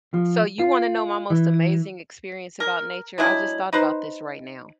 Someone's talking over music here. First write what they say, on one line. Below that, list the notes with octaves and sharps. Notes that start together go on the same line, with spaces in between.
So you wanna know my most amazing experience about nature? I just thought about this right now.
F3
F4
E3
A#4
F#3 G#3 D4 E4
D#4 B4 C5